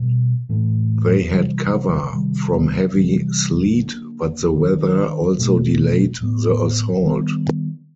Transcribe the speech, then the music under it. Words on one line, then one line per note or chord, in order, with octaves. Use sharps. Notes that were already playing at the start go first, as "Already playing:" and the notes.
They had cover from heavy sleet, but the weather also delayed the assault.
Already playing: B2 G3 B3
A2 E3 A3
C3 E3 G3
C3 D#3 G3
C3 E3 G3
D3 F#3 A#3
D#3 F#3 A3 D4
B2 F#3 A3
A2 F#3 B3
D#3 G3 B3